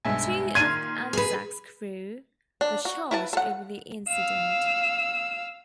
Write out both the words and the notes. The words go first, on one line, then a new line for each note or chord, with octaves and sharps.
Two of "Anzac"s crew were charged over the incident.
B1 G2 G#3 E5 G#5
A#2 D#3 C6 F6 G#6 D#7
G#4 B4
D4
F#4
E4 B4 A5
A4 F#5
F5 E6